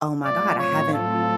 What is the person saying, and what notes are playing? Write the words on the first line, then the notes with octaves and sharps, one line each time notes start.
"Oh my god. I haven't"
A2 F#3 A3 C4 F4 D5
C#5
A4